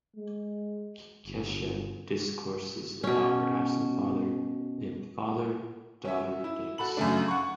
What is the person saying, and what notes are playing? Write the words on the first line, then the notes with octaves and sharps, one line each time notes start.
Kesha discourses about her absent father in "Father Daughter Dance".
G#3
G1
B2 C#4
C#4 E5
E4
F#4 A4 B5 F#7
F#2 C#3 A3 D4
F#5 C#6